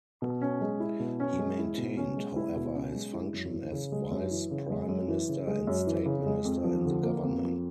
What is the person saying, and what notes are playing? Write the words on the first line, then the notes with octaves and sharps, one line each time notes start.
He maintained, however, his function as vice prime-minister and State Minister in the government.
B2
C#4
G#3
E4
B2
C#4
G#3
E4
B2
C#4
G#3
E4
B2
C#4
G#3
E4
F#2
E3
C#3
G#3
F#2
E3
C#3
G#3
F#2
E3
C#3
G#3
F#2
E3
C#3
G#3
F2
F3
D3
A#3
F2
F3